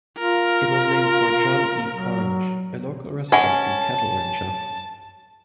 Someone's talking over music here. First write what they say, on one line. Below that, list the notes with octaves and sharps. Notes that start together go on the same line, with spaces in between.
It was named for John E. Cornish, a local resident and cattle rancher.
F4 A#4
F#3
C#4 F#5 G#5 A5